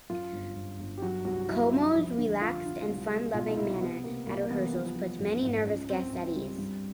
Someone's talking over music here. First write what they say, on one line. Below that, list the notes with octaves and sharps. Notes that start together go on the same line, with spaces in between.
Como's relaxed and fun-loving manner at rehearsals put many nervous guests at ease.
F#2 F4
G1
G1
G1
G4
F#3 F#4
C2 F#4
F#3 E4
C2
F2
D3
F2 F4
D3
C2
G#3
B2 F4
D#4
C2 E4
C3 B3
C3 A#3
C2 A#3
A#3
E3 B3
F3
F3
F#2
G#1
C#2 C#4
C#2 C4
C#2
G3
G2